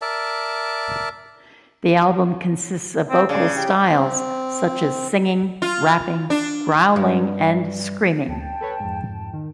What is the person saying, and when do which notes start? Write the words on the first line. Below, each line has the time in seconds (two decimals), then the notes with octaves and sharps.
The album consists of vocal styles such as singing, rapping, growling and screaming.
0.02 A#4 D5 E5 A5
3.10 C4
3.29 C#3 D4
3.57 G4
3.92 C4
5.62 F4
6.30 D4
6.96 G2
8.28 D2 G5 A5
8.61 A4 B4 C#5
8.80 F2 G#2
9.33 D#3